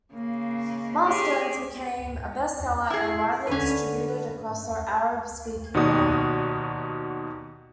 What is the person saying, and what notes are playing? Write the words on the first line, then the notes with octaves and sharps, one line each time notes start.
"Milestones" became a bestseller and widely distributed across the Arab speaking world.
C#3 A#3
C#4 G4 G#4
E4 G#4
D3 C#4 B4
D#2 B2 D#4 F#4 D5 D#6